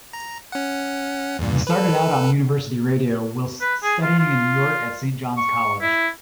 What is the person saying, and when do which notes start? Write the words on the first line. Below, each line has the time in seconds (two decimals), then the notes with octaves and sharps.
He started out on university radio whilst studying in York at Saint John's College.
0.13 A#5
0.52 C#4 F#5
1.39 E2 G2 A#2
1.67 A4 B4
3.61 B4
3.83 G#4
4.03 F4
4.19 F4
5.37 C#6
5.81 E4